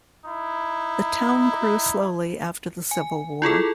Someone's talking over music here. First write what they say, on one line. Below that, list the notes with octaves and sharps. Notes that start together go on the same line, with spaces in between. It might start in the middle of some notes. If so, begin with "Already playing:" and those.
The town grew slowly after the Civil War.
D#4 E4
G#5
E4 F4 G#4 A4